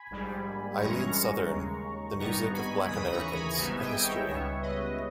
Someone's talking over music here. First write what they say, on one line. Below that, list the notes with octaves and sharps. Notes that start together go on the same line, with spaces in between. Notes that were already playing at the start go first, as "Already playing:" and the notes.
Eileen Southern, "The Music of Black Americans: A History".
Already playing: G#5 B5
A#1 G#2 G3
G1 G2 E3 G#3 C#4 A#5 C#6
D#2 C#3 G#3
G#1 G2 G3 B3 D#4 A#5 C#6
G#5 B5
D#2 C#3 E3 B5 D#6
A#5 C#6
A#5
G#5 B5
G#1 G#2 G3 B3 D#4 E5 G#5
D#5 G5
C#5 E5
C#2 C#3 G3 B3 C#5 E5
B4 D#5